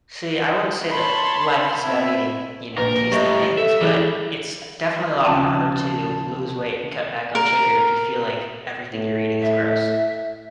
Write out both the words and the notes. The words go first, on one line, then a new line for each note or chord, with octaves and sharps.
See, I wouldn't say that life is about eating, you know, tasty things, but it's, uh, definitely a lot harder to lose weight and cut back on sugar if you feel like everything you're eating is gross.
C#5 A5 B5 C6
C4 E4 E5
A#1 A#4 B4
A2 G3 D#5 C#6
A4 E5
C#2 E3 G3 E4 G#4
D#2 C#3 F3 A5
A#4
A2
E5